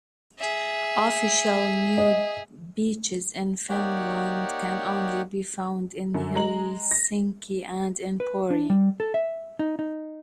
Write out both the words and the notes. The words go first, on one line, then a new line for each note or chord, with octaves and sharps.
Official nude beaches in Finland can only be found in Helsinki and in Pori.
G#4 E5
D#5
A#3 D#4 G4 C#5 D5 F#5
F#2 D3
G#3 A#5 F#7
A#6
B4
D4
G3
A4
E5
D#4
D#4